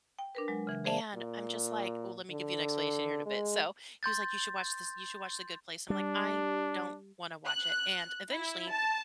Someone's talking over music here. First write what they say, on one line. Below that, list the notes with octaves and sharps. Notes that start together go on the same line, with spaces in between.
And I'm just like ooh, let me give you an explanation here in a bit. So, he was like, "You should watch this you should watch The Good Place." I'm like, "I don't wanna watch it." And eventually,
G5
D4 A#4 B4
F#3 G#3
C#3 E3
G#4 C5 D5 E5 A5
A#2
D3
G#3
C6 G6 A6
G3 D4
F#6
E4
A5